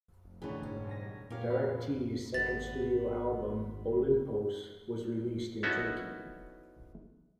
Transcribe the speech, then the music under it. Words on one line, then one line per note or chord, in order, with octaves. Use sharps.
Direc-t's second studio album "Olympos" was released in Turkey.
F1
E1 D3 E3 A3 G#4 C#5 C#6
G#2 C#4
G3 G#5 A#6
A#2 B3 C#4 G4 A#4 C#5 F5 D6
F1 F4 F#4 B5
G#1 B3 A6
B3 C#4 D#4 E4 F#4 A4